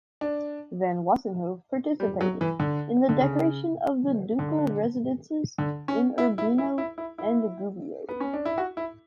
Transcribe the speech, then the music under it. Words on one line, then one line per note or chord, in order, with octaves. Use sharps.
Van Wassenhove participated in the decoration of the ducal residences in Urbino and Gubbio.
D4
G3
F#3
E3
D3
D3
C#3
D3
D3
C#4
E4
E4
E4
E4
E4
E4
B3
C#4
D4
E4
F#4
E4